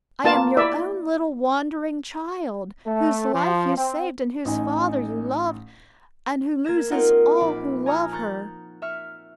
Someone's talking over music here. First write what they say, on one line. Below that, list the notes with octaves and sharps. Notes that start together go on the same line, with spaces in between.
I am your own little wandering child, whose life you saved, and whose father you loved, and who loses all who love her.
A#3 B3 F4 A5
E4 D5 E5
A3
F3
C4
A1 D#4 G#5
A#3 G#6 A#6 E7
C4 D#4 F4 A#4 F5 F#5
A#1 B5 D6
G#5 A#5 C#6 D#6 F6
A#5 C#6 F#6 G6 A6 A#6
E5 C#6 F6